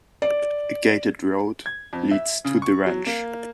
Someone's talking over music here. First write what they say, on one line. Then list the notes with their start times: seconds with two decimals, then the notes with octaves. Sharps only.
A gated road leads to the ranch.
0.22 D5
1.66 G#6
1.93 F2
2.11 E5
2.45 C#3
2.62 C#6
2.86 F#3
3.06 A#3